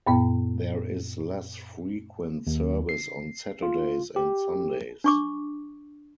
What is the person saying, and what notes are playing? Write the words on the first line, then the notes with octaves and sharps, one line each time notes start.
There is less frequent service on Saturdays and Sundays.
F#2 A#2 B3
D#2
C7
F4
G4
D4 C#6 D6